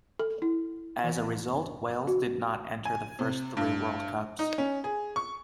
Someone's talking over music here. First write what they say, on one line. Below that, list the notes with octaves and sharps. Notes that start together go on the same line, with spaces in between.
As a result, Wales did not enter the first three World Cups.
A4
E4
E3
F#4
G#5
C3
G2
D#4
C#4
G#4
C#6